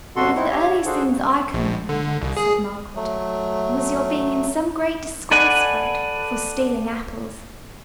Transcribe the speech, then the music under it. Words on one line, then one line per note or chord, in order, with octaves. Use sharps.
'One of the earliest things I can remember,' said Margaret, 'was your being in some great disgrace, Fred, for stealing apples.
G2 B2 D3 F#4 A4 C6
C4 D#4 E4
G4 C#5 E5
D4 F#4 G#4 A4 C5
G2
A#1
D3
C2
G#4
F#3 A3
A4 B4 D5 F#5 G#5